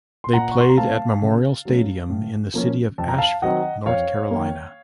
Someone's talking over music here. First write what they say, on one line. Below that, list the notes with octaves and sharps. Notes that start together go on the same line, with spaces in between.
They played at Memorial Stadium in the city of Asheville, North Carolina.
C6
A#2 F#5 A#5
C#6
C6
A#5
A3 C4 F5 A5
C#3
F#3 A3 C#4
A2
F3 A#3 C#4
F2 A5
A#5
F5 A5
D#3 F#3 C4 D#5 F#5
F2 C#5 F5
D#3 A#3